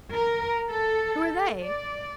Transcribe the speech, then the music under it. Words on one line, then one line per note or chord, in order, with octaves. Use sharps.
"Who are they?"
A#4
A4
D5